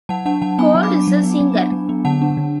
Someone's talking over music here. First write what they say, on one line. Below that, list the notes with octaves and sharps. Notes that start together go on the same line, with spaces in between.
Cole is a singer.
F#3 F#5 A5
D4 F#5 A5
F#3 F#5 A5
B3 G#5 B5
F#3
B5 D6
D4
F#3
B3
F#3
D4
F#3
B3
D3 F#5 A5
D4
D3